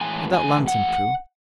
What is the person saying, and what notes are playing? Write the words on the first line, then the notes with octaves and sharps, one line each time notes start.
Get that lantern, Prue.
A2 E3 G#3 G#5
G#5
F#5